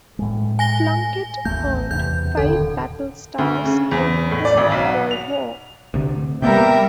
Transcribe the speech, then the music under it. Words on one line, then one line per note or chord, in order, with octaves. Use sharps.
"Plunkett" earned five battle stars during the Second World War.
A2 G#3
G#5 A#6 G7
A1 D#2 A3 G6
E2 C3 G6
D1 D#2 D3 A4
D2
C#3
E2
A2
D5
G#1
B1
F#5
F7
D2 C3
C3 G3 A#3 B3 A#4 E5 G5 G6